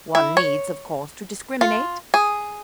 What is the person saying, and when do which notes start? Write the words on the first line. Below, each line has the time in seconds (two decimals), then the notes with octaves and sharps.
One needs, of course, to discriminate.
0.15 E4
0.37 C#5
1.61 F4
2.14 G#4